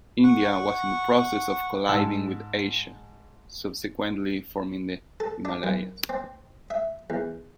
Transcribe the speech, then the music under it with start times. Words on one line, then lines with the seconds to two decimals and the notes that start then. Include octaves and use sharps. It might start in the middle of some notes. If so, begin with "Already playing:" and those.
India was in the process of colliding with Asia, subsequently forming the Himalayas.
0.23 F#5 C#6
1.89 G#2 A5 E6
5.20 A4
5.45 D4
5.64 F#2
6.09 C4
6.70 E5
7.10 E2